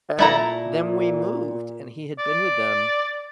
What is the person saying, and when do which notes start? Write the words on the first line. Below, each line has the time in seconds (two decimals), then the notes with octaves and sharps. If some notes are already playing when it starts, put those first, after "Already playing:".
And then we moved, and he had been with them
0.19 A#2 A3 E4 A#5
2.19 D5